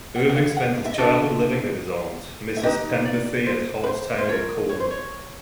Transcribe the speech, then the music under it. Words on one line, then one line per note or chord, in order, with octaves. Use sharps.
Irving spent his childhood living with his aunt, Mrs Penberthy, at Halsetown in Cornwall.
F#5
F#5
F5
F#5
F5
E5
D#5
D4 F#4 A4 E5
E5
D#4 G4 B4 D#5
D5
C5
B4
C5
C5
F4 A#4 C#5
C#5
C5
C#5